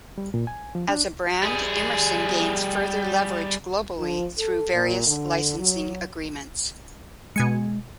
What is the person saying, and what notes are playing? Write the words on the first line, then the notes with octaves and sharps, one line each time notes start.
As a brand, Emerson gains further leverage globally through various licensing agreements.
G3
A#2
G#5
F3
D4
G3 G#4
F3
A4
A#2
D3
F#3
B2 G#3 G#5 C#7